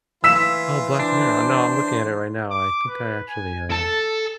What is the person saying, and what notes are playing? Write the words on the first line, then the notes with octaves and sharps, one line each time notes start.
Oh, Black Mirror. No, I'm looking at it right now, I think I actually, uh,
E3 F4 E6 B6 E7
D4 C5
D6
B4
G#5
A4 A5